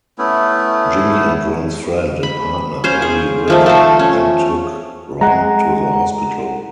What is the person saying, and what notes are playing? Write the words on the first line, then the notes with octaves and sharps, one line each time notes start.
Jimmy and Ron's friend and partner Barry Windham then took Ron to the hospital.
A3 B3 C#4 E4
B5
C#4 C5 F5
G#4
D#3 F3 A3
A3 A4 C5
C#4
G#3 F#5 A#5